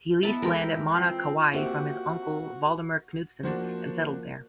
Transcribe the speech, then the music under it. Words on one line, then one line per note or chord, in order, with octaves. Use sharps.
He leased land at Mana, Kauai from his uncle, Valdemar Knudsen, and settled there.
B3 E4 B4 A5
E3 G#3 A4 A#4 G5 B5
C4 F4
A#3 C4 F#4 G4 E5
F3 A#3 D4 F#4 C5